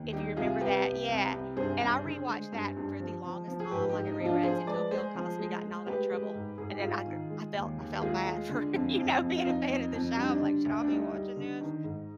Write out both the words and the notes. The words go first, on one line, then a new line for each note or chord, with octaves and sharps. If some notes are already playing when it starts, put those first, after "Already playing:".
If you remember that yeah, and I rewatched that for the longest time, like, in reruns until Bill Cosby got in all that trouble, and then I go I felt I felt bad for, you know, being a fan of the show. I'm, like, "Should I be watching this?"
Already playing: D#2
G3 D#4 G4
C2 F4 G#4
C2 G4 B4
C2
C2
C2
G2 G#4 C5
G2
D3
G#3
G2
G2
F3
F3
F3
G#4
G#2 G4 B4
D#4 G4
G#2
D#4
F3
D4 F4
F3 G#4 C5
G#3 B4 D5
G#3 G#4 C5
F3
G#3
G#3
G#3 G4 B4
G#3
G#2
G#2 G#4
G4
G#2 F4 G#4
D#3
G#3
D#2
D#2
G4
G#3 F4 G#4
G#3
D3
F2
F2
F2
F4
F2 D#4
F2
F2
G3 D4
D#4
D4
D3
D2
D4
G3 D#4
G3
D3
D#3
G#2